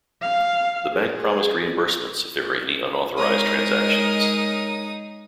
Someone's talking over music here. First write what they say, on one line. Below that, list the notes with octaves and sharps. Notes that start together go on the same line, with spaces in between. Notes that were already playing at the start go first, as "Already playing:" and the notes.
The bank promised reimbursements if there are any unauthorised transactions.
F5
G#4
G#3 D#4 A#4 C#5 D#6